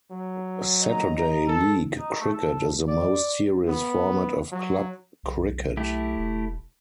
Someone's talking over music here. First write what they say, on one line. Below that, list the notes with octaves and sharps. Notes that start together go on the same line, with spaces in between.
Saturday league cricket is the most serious format of club cricket.
F#3
D#5 A#5
A4
D#4
A3
A4
D5
B3
F#3
B1
A3 E4 G4
E1